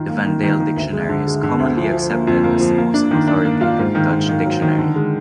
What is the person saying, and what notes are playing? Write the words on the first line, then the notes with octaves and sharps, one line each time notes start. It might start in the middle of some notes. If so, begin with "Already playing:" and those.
The Van Dale dictionary is commonly accepted as the most authoritative Dutch dictionary.
Already playing: D#3 F4
A#3
D#3
D#3
D#3
D2
G#3
D3
G#3
D3
D2
F3
F3
A#3
F2
A#3
F3
A#3
D4
D#3
D4
A#3
F4
G#2
D#3
G#2
D#3
F#3
D#3
D3
G#3